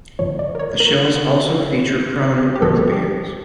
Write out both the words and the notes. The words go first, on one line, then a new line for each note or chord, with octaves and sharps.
The shells also feature prominent growth bands.
A1 G2 D3 F3 C#5
D5
A#4
C#5
A#4
G4
A1 G2 D3 F3 A4
G4